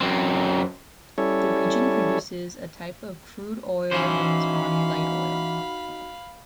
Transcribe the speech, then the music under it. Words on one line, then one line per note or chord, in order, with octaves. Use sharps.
The region produces a type of crude oil known as Bonny Light oil.
F#2 C4
G3 C#4 E4 A4 C#5
E3 C#4 D#4 F#4 C5 F5 B5